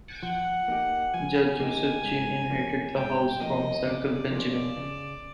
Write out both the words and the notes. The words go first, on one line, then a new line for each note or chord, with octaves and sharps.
Judge Joseph Chinn inherited the house from his uncle Benjamin.
F3 F#5
A#3 D#4 G4
F3 G#5
A#3 D#4 G4
G#2
F3 A#3 C#4
G#2 G5
F3 A#3 C#4 D#5
C#3 D5
F3 A#3 C#4 F4
C#3